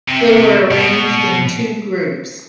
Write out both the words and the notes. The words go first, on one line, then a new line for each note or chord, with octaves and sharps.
They were arranged in two groups.
C3
B2